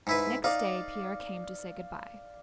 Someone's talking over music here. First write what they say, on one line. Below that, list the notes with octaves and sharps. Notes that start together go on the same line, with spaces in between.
Next day Pierre came to say good-by.
G#2 E4 B4
D#4 D5 F5